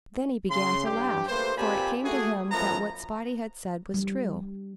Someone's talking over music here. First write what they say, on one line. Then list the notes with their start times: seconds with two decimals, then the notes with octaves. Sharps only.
Then he began to laugh, for it came to him that what Spotty had said was true.
0.49 C#3 C6
0.85 G2 G4
1.27 A3 A#3 B4 C5
1.57 A#2 C4 G4 G#5 A5 B5
2.02 A3 F#4 G#4
2.48 F#2 F3 A3 B3 A#5
3.94 G3